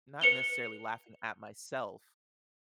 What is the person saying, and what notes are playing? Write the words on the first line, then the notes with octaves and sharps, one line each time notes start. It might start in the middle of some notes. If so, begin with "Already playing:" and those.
not necessarily laughing at myself.
B4 C#7 F7 G7